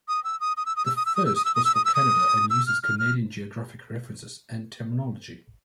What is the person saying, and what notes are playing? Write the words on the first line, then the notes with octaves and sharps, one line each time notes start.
The first was for Canada and uses Canadian geographic references and terminology.
D#6
E6
D#6
D#6
E6
D#6
E6
D#6
E6
D#6
E6
D#6
E6
D#6
E6
D#6
E6
D#6
E6
F6
F6
F6